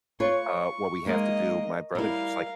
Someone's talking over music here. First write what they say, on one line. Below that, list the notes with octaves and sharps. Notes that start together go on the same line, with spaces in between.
"Uh, what we have to do" my brother's just like,
F4 B4 C#5 C#6
G#3 A#3 D#4 A#4 D#5
G3 E4 A#4 F5